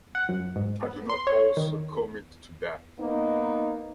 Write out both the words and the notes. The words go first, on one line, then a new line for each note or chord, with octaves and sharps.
I do not also commit to that.
F#5
F#2
G#2
B3
C6
C#5
D#3
A#3 B3 D#4